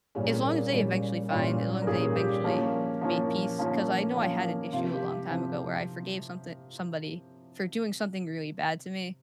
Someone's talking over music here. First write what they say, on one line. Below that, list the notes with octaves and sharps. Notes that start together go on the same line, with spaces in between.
as long as they eventually find as long as they eventually made peace 'cause I know I had an issue a long time ago, where I forgave something somebody for doing something really bad to me,
A#2 G3 C#4 G#4
A#4
G#4
A#2 G3 C#4
A#2 G3 C#4 F4
A#4
A#2 G3 C#4 G#4
G4
F3 A#3 C#4
F3 A#3 C#4
F3 A#3 C#4
F3 A#3 C#4
C3 F3 C4 F4
G4
C3 F3 C4